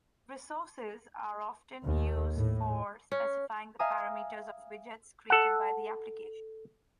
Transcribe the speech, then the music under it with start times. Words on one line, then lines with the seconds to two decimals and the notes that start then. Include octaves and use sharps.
Resources are often used for specifying the parameters of widgets created by the application.
1.86 D#2
2.36 A2
3.12 C#4
3.79 E5 F5 G#5 A#5 D#6
5.30 A4 F#5